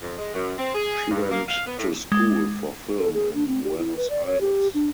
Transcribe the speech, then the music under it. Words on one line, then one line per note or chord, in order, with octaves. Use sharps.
She went to school for film in Buenos Aires.
F2
G#3
F#2
C4
G#4
G2
A#3
F5
B3
A2
G#3
A4
G#4
D4
C4
G4
E4
B4
D5
C#5
G4
D4